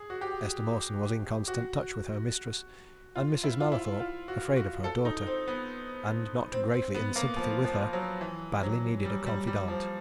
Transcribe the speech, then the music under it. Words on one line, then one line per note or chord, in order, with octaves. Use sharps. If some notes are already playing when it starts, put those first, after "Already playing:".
Esther Mawson was in constant touch with her mistress, and Mrs. Mallathorpe, afraid of her daughter, and not greatly in sympathy with her, badly needed a confidante.
Already playing: G#4
F#4
G4
F#4
F4
E4
F4
E4
F4
F#4
F#4
A4
D#4
C4
B3
C4
C4
B3
A#3
F3
F3
F#3
E3
F#3
G3
G3
G3
F3